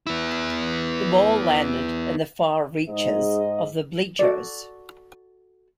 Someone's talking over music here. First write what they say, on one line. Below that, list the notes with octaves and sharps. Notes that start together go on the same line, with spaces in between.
The ball landed in the far reaches of the bleachers.
B3 E4
G#2 D#5
F#4 A4 D5